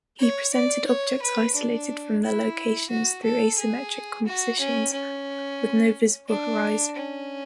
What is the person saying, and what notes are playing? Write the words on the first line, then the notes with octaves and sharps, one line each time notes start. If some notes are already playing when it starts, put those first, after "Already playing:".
He presented objects isolated from their locations through asymmetric compositions with no visible horizon.
C#5
D5
C#5
B4
D4
E4
F#4
A4
G#4
F#4
C#4
C#4
D4
C#4